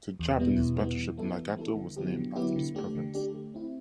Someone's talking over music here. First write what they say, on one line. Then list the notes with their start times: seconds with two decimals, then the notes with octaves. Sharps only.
The Japanese battleship "Nagato" was named after this province.
0.19 E2
0.39 B2 G3 B3 E4
0.59 E2
0.78 B2 G3 B3 E4
0.98 E3
1.17 G3 B3 E4 A4
1.37 E3
1.57 G3 B3 E4 A4
1.76 D3
1.96 F#3 B3 E4 G4
2.17 D3
2.35 F#3 B3 E4 G4
2.56 D3
2.75 A3 D4 G4
2.95 D3
3.14 A3 D4 G4
3.34 A3
3.54 C4 E4